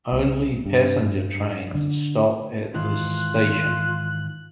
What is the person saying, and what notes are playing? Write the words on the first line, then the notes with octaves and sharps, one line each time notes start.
Only passenger trains stop at this station.
C2
G2
D3
G#2 D#3 E3 F4 F#6